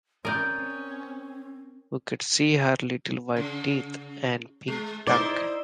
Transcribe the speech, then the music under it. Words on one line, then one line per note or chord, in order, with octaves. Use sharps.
We could see her little white teeth and pink tongue.
C4 C#4 A#4 D5 D#6 G6
C#3
G#3
D#4 E4 C5 D5